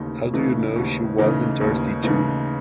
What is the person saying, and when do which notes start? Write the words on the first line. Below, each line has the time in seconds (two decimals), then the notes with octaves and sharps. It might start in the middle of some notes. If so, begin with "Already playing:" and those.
How do you know she wasn’t thirsty too?
Already playing: D#2 C#3 E3 A3 D#4
0.33 C#3 E3 A3 D#4
0.76 D#2
1.18 C#3 E3 A3 D#4
1.61 D#2
2.03 C#3 E3 A3 D#4